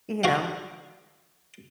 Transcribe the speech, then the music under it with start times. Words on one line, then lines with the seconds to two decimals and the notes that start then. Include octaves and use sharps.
you know
0.24 F#4 F5 F#5